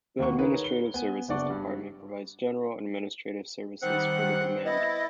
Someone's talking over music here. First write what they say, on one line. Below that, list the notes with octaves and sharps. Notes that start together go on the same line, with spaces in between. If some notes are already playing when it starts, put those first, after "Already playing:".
The Administrative Services Department provides general administrative services for the command.
D#2 A#3 F#5 C#6
D#4 G#4 A#4 B4 C#5
G7
B3 G#5
F#1 B3 D4 D5 F#5 C#6
G2
D#3 G3 C4 F#5 F#6
B3 E4 D#5 A6